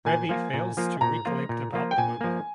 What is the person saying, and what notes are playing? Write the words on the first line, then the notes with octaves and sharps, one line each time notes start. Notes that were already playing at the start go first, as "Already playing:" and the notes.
Ravi fails to recollect about the mobile.
A#2 G#5
F3 A#3 F4
A#2
F3 A#3 F4
A#2 A#5
F3 A#3 F4
A#2
F3 A#3 F4
G5
A#2 G#5
F3 A#3